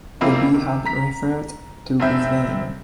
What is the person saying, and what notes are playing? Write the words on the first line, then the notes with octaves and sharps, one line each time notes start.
The B had referred to Brisbane.
F2 A#3 C4 E4 F4
C3 D#3
A#5 B6
F1 C4 E5 G6